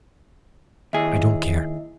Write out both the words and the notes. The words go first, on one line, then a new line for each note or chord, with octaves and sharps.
I don't care.
D#2 E4 G#4 D#5 E5